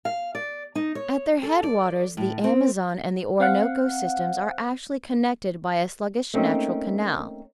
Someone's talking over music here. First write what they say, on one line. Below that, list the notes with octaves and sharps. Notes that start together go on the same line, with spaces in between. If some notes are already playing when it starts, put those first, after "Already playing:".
At their headwaters the Amazon and the Orinoco systems are actually connected by a sluggish natural canal.
F5
D5
D#4
C#5
A4
D5
A2
C4
C4 F5 F#5
A3 A#3 C4 C#4 D#4